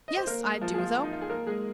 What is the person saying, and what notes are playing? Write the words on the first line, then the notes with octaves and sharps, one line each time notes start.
Yes, I do, though.
D#5
C5
A#3 A#4
G#3 G#4
F3 F4
G#4
F3 F4
D#4
F4
G#4
A#3 A#4
G#3 G#4